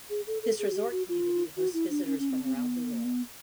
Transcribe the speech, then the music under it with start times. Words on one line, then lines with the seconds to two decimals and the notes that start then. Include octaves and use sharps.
This resort community hosts visitors from around the world.
0.10 G#4
0.27 A4
0.43 A4
0.59 G#4
0.72 F#4
0.76 G4
0.91 F#4
1.09 F4
1.57 F#4
1.74 E4
1.90 D4
2.06 C#4
2.19 C#4
2.31 C4
2.44 C4
2.56 B3
2.92 A#3
3.04 B3